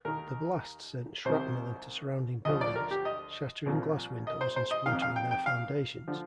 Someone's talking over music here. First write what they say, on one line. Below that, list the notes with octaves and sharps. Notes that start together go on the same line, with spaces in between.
The blast sent shrapnel into surrounding buildings, shattering glass windows and splintering their foundations.
D#2 D#3 A#4
C2 C3 D#3 C5
D2 D3 F3 D#5
D5
A#4
G4
D#5
C2 A#2 F3
D#5
C5
C5
D#5
D#3 F5
F2
F5
G5
G5
F5
D3 F3